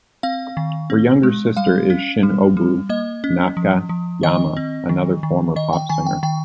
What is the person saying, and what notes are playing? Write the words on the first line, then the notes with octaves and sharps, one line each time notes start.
Her younger sister is Shinobu Nakayama, another former pop singer.
C4 F5
D#3
C4
G#3
G3 F5
C#4
G3
G3
A#3 D#5
C#4
F3
F3
D#3 D#5
C4
D#3
D#3
D#3 D#5
G5
D#3 G#5
G5
D#3 G5